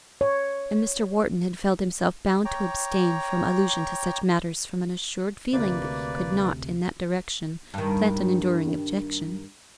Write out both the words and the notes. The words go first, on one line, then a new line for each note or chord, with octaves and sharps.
And Mr. Wharton had felt himself bound to abstain from allusion to such matters from an assured feeling that he could not in that direction plant an enduring objection.
C#5
C#5 G5 A#5 D6
D2 C3 A#3 B4 D5
G2 D#3